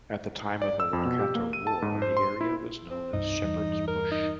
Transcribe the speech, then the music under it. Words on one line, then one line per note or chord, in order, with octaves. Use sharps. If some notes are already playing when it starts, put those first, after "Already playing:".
At the time of the Waikato War, the area was known as Sheppards Bush.
D5
E6
F2
B2
G4
A#3
D#7
A5
G#2
C5
C6
E4
C4
C2 G2 D#4
E2 G2
A#4
D#4